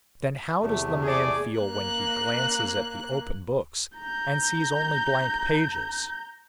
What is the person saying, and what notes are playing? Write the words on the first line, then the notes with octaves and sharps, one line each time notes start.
Then how does the man feel when he glances at the open books and sees only blank pages?
E2 C3 A3
G#4 D5
A#3 F#6
A#5 G6